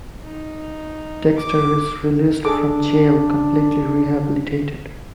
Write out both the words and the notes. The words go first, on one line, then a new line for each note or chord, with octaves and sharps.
Dexter is released from jail, completely rehabilitated.
D#4
D6
D4 G#4 A4 D6